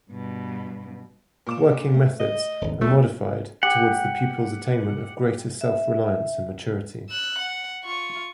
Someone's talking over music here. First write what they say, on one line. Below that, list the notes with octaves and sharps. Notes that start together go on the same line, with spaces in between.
Working methods are modified towards the pupil's attainment of greater self-reliance and maturity.
G2 B2
A#2 D6 E7
A3
D#5
D#1 G#1
E1 A#2 G3 A3
G4 F#5
E5
E6 F#6
F#5
F4 C#6